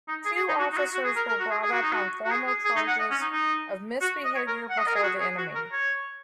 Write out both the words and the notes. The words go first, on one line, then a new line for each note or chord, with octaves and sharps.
Two officers were brought up on formal charges of misbehavior before the enemy.
D#4
G#4
G#4
D#4
F#4
D#4
F#4
F#4
G#4
A#4
A#4
F#4
G#4
G#4
F#4
D#4
F#4
F#4
G#4
G#4
G#4
D#4
F#5
D#5
C#4
D#4
D#4
F#4
D#5
C#5
A#4
F#5
D#5
A#4
G#4
F#4
G#4
F#4
A#4
C#5